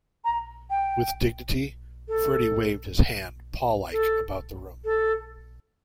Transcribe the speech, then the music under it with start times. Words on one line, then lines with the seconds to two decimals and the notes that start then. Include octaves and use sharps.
With dignity Freddie waved his hand paw-like about the room.
0.24 A#5
0.70 G5
2.08 A4
3.92 A4
4.84 A4